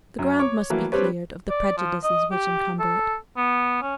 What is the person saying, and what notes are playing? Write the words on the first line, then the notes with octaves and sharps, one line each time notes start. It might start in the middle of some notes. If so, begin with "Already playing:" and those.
The ground must be cleared of the prejudices which encumber it.
F#2
C#5 C#6 D6
E3 F#3 A3 A#3
G3 C4 D4 G4 B4 C#5
D5
F3
D#5
G4
A4
B3
C#4